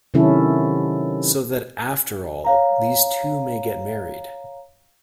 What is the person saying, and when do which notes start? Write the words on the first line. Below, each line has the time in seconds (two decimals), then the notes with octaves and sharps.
So that after all these two may get married.
0.14 C3 D#3 F#3 C#4 E4 A4
2.44 C#5 F5 A#5